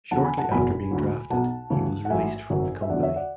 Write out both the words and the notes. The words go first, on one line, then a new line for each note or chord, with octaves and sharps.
Shortly after being drafted, he was released from the company.
E2 D3 F#3 F#5 A5
G#5 B5
F#5 A5
F#1 E2 B2 F#3 G#5 B5
D2 D3 F#3
B1 B2 F#3 F#5 A5
D2 C#3 E3
F#5
A1 G#2 F#3 E5 G#5
G#1 F#2 C#3 F#3
E5
E2 D3 F#3 D5 F#5
C#5 E5
D5 F#5